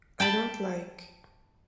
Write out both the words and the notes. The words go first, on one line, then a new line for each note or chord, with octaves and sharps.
I don't like...
G5 A5 B5